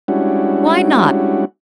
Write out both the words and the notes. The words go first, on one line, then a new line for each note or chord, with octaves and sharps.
Why not?
G3 G#3 C#4 D4 E4 F#4